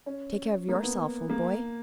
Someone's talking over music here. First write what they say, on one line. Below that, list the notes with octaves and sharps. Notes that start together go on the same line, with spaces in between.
Take care of yourself, old boy.
C#4
A#3
B3
A#3